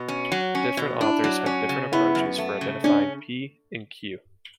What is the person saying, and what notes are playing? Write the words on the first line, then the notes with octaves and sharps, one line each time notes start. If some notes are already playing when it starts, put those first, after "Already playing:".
Different authors have different approaches for identifying "p" and "q".
Already playing: B2
C#4
F#3
C#4
B2
D4 E4
F#3
C#4
C#3
B3 E4
F#2
A3
C#3
C#4 D4